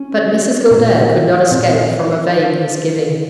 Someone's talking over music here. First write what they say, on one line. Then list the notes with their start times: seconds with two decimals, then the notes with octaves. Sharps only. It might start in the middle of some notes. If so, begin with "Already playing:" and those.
But--Mrs Gildea could not escape from a vague misgiving.
Already playing: C#4
0.71 A#2
1.51 A#2 C4